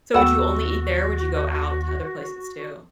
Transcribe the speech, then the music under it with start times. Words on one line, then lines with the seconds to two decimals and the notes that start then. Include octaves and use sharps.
So, would you only eat there or would you go out to other places too?
0.14 D#2 B3 F#4 F#5 G5 E6